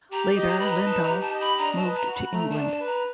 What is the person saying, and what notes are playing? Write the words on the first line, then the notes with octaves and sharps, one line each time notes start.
Later Lindhal moved to England.
G4 A#5
D#5
A#5
B4 B5
A#5
D#4 A5
A#5
G4
A5
D#5
B5
D4 A#5
A5
B4
A#5
F#4
B5
A3 A#5
A5
D4
A5
B4
A#5